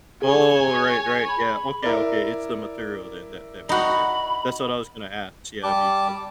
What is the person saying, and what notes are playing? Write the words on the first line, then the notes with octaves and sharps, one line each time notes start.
Oh, right, right yeah, okay, okay, it's the material, then, that that makes it that's what I was gonna ask see how big was
G#4 C#5 G#5
B5
E4 A#4 D5
D#4 F#4 B5
G3 A5 D6